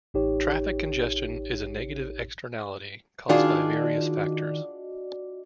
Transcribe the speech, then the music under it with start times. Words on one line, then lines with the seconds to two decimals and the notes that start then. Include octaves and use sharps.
Traffic congestion is a negative externality caused by various factors.
0.14 A1 D#4 G4 C#5
3.29 D#3 D4 F4 F#4 G#4 D5 D#5